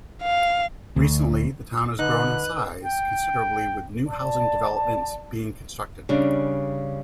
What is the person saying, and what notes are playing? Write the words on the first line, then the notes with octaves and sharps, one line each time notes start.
Recently, the town has grown in size considerably with new housing developments being constructed.
F5
D2
D3 D#4 B4 F#6
G5
D5 A5
C#3 G3 D4